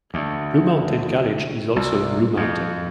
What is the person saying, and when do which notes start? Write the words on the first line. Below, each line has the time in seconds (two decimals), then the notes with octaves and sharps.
Blue Mountain College is also in Blue Mountain.
0.14 D2
1.76 C2
2.37 F2